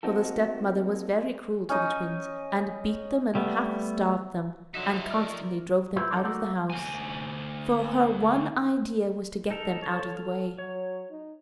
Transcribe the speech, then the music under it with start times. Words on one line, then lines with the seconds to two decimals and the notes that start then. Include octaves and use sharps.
For the step-mother was very cruel to the twins, and beat them, and half-starved them, and constantly drove them out of the house; for her one idea was to get them out of the way.
0.03 A#3 C4 D#4 F#4 A4
1.69 C#4 D#4 D#5
3.35 G3 A3 B3
4.74 D3 F3 F#3 D#4 E5 B6 E7
5.11 A#4 D5 F6
5.96 E4 F4 B4 C5
6.11 D#4 F4 A4 A#4 C5 D5
6.24 A3 A#3 F#4 A4 A#4 D5
6.70 D2 G#5
9.51 D#4 A4 A#4
9.82 A4 C#5 A5
10.17 F6
10.58 F#3 C#5
11.10 D#4